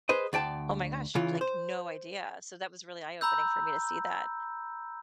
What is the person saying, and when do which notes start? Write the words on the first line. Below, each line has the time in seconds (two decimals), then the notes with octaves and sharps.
Oh my gosh, it's like no idea, so that was really eye opening for me to see that,
0.09 G#4 B4 C5 D#5
0.33 D2 D5 G5 A5
1.15 C#3 E3 F4
1.41 C5
3.21 A#5 B5 E6 G6